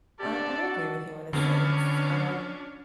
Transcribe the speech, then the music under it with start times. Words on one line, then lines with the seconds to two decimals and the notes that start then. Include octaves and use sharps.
I I agree with you in a sense, um,
0.20 D4 G4 A4 D5 A5
0.64 F#4
1.33 F2 D3 B3 C#4 D4